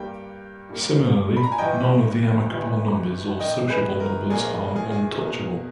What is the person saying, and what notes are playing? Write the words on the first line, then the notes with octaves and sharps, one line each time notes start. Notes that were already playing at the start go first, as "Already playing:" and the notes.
Similarly, none of the amicable numbers or sociable numbers are untouchable.
Already playing: G2 G3 A#3 G5
G2 G3 A#3
B5
A#5
G#5
G1 G2 E3 D#5 G5
G1 G2 E3
A#1 A#2 A#3 D#5 G5
G#4 B4
A#4
A#1 A#2 A#3 G#4
G#4
G#4
E2 B2 A#3